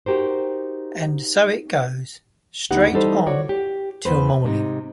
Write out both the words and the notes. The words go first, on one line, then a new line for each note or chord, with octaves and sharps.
And so it goes, straight on till morning.
D#4 F#4 G4 A#4 C5
D2 B3 D#4 G4 F#5
E3 G3 D#4 A4 C5
F#4 C#5 D5
G4
E2 B4 C5
G#2 C3 D#4